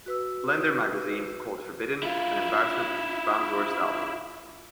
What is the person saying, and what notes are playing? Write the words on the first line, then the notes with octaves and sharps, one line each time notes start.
"Blender" magazine called "Forbidden" "an embarrassment ... the band's worst album".
F#4 B4 E6
E4 F4